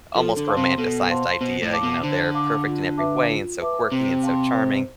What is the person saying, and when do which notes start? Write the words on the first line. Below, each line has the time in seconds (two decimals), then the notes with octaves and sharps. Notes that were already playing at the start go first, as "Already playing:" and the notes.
almost romanticized idea, you know, they're perfect in every way and so quirky and so charming,
0.15 F3 A4
0.37 D3
0.47 C5 F5 A5 C6
0.57 C3
0.78 B2 A4
1.09 C5 F5 A5 C6
1.41 B2 C5
1.62 A2
1.72 F5 A5 D6
1.83 B2
2.03 D3 C5
2.34 F5 A5 D6
2.66 F4
2.98 B4 E5 A5 D6
3.29 F4
3.60 B4 E5 A5 D6
3.92 C3 C5
4.23 F5 A5 C6
4.54 C5